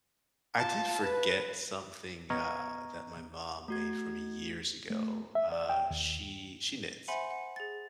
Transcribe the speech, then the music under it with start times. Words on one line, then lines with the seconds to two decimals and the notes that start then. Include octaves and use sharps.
I did forget something, uh, that my mom made for me years ago, uh, she she knits,
0.57 F4 A5
1.04 B4
2.30 B3 D#5 A#5 C#6 F6 G#6
3.68 A3 F#4 G#6
4.90 A3
5.35 E5
5.52 D5
5.69 G5
5.91 D#2
7.08 C5 E5 F#5 G#5 B5 C6
7.31 F#5
7.56 G#4 A6